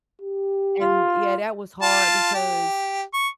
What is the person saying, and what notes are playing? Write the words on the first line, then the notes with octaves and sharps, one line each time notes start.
And yeah, that was hard because,
G4
F4
F4 A5
G4
C#6